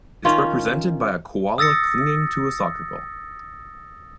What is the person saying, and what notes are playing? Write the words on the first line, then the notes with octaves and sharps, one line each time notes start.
Its represented by a koala clinging to a soccer ball.
D#3 C#4 F4
D#6 E6 A6 A#6 C#7